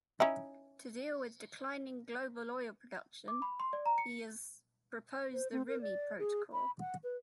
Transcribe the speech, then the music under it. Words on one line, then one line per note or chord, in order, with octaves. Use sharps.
To deal with declining global oil production, he has proposed the Rimini protocol.
C#4 D#4 E4
D6
B5
C6
D5
A#5
C#7
C5
C4
A#4
D5
G#4
B5
F#5
B4